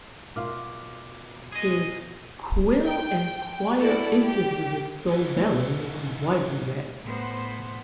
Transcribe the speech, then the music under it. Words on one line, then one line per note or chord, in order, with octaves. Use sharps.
His "Quill and Quire" interview with Saul Bellow was widely read.
B2 F4 F#4 A#4 D6 F6
G#4 D#5
G5
E4 F#4 A4 D5
G4
G#2 E3
C#2
A2 B3 C5